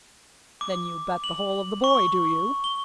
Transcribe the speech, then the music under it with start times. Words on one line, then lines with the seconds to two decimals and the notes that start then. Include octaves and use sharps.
"Then you bet the whole of the boy, do you?"
0.61 D6
1.24 F#7
1.84 C#6
2.64 G7